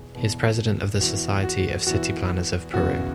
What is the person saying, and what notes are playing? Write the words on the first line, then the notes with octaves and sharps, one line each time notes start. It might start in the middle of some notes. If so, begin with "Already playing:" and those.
He is president of the Society of City Planners of Peru.
Already playing: E2 B2 G#4
E2 B2
E2 E3 F#4
F#4
E2 E3 F#4
E2 C#3 E3 F#4